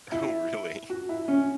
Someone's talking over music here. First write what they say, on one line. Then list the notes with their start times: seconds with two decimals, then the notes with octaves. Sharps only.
Oh, really?
0.12 E4
0.90 F#4
1.09 E4
1.28 C#4